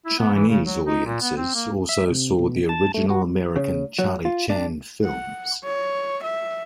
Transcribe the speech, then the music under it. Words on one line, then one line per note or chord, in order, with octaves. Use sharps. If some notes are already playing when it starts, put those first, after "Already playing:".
Chinese audiences also saw the original American Charlie Chan films.
E4
B3
E3
C#3
F#3
D#4
A#2
B3
C4
A#3
E5
C3
B2
A5
A3
F#4
C#3
F#3
F4
D4
F#5
C#5
E5